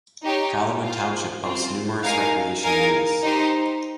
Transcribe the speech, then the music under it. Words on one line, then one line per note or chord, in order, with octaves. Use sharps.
Calumet Township boasts numerous recreation areas.
D#4 G4 C#5
F4 C5 F5
C4 F4 C5
D#4 A#4 F5 G#5
D#4 A#4 F5 G#5
D#4 G4 C5